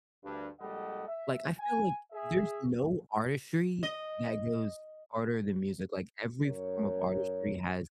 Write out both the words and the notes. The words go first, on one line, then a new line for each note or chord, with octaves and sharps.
like, I feel like there's no artistry that goes harder than music. Like, every form of artistry has
D2 G2
A#1 G3 G#3 A4 D#5 F#5
E5
G#5
G#4 E5
D#5
F#2 A#4 C#5